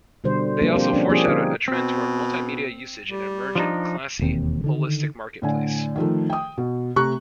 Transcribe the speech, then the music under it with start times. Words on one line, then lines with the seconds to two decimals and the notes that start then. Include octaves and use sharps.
They also foreshadowed a trend toward multi-media usage in an emergent, classy, holistic marketplace.
0.24 B2 D3 G3 C5
0.61 F3 G3 A#3 D4
0.75 C4 G4 C5
0.93 F3 C#4 D4
1.09 F3 A#3 D4 G4 G#4
1.27 D3 D#4
1.68 B2 C4
3.08 G3
3.56 F3 D4 D#4
4.19 E1 D#2 C4
4.64 D3 D#3
5.42 A2 D3 G#5
5.96 D#3 F3 A3
6.30 G5 D#6
6.58 B2
6.96 C3 A3 A#5 C#6 F#6